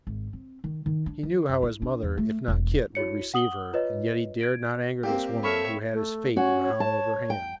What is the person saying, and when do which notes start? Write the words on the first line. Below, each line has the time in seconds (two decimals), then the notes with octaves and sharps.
He knew how his mother, if not Kit, would receive her, and yet he dared not anger this woman, who had his fate in the hollow of her hand.
0.07 G#1
0.33 C4
0.64 D#3
0.86 D#3
1.06 D4
1.23 E3
1.49 F#2
1.62 E4
1.82 D4
2.03 E2
2.18 A3
2.48 E1
2.95 E4 F#4 C#5 C#7
3.34 F#5 D#6 F#7 G7
3.73 F4 B4 C#5 D#5
4.41 G#6 D7
5.03 G3 A#3 C4 G4
5.43 A4 C#5 E5 B5 C#6 F6
5.93 A3
6.36 C#4 F#4 C#5
6.64 C#5
6.80 A5
7.30 G5